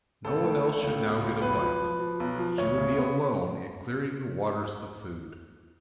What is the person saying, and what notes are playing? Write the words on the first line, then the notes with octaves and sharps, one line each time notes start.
No one else should now get a bite; she would be alone in clearing the waters of food.
C#2 A4
A3
A3
C#2
B2
C#2
B1 B4
F3
F3
F3
B1
F3
D2 C#5
C#3
B3